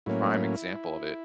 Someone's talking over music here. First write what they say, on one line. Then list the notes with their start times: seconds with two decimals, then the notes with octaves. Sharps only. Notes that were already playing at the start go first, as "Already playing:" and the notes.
prime example of it
0.06 A2 F#3 A#3 C#4 E4